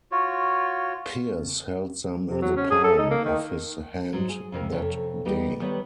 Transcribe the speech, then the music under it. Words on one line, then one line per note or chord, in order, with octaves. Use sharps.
Pierce held them in the palm of his hand that day.
F4 F#4 C#5
C3
F#3
C#4
G#4
A4
D#4
A#3
D#3
G#2 F#3
G#4
F2 C3 A#4
F2 C3 A4 C#5
G3 B3 D#4 G4
D#3 G3 B3 B4 C#5